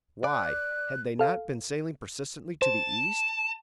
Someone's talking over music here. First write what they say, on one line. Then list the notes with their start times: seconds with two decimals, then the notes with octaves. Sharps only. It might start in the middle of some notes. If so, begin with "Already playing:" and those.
Why, had they not been sailing persistently to the east?
0.24 D5 F#6
1.19 A4 F5
2.62 C5 A5